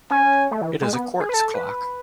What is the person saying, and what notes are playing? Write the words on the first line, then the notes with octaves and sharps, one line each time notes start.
It is a quartz clock.
C#4 G#5
A3
E3
G#3
B3
G#4
B4
A4 A5
B4